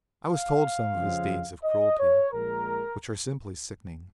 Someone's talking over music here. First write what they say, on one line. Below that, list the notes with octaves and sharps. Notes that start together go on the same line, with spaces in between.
I was told some of his deeds of cruelty, which are simply sickening.
F5
F2 C#3 F3 G#3 C4
D#5
C#5
A#1 A#2 G#3 A#4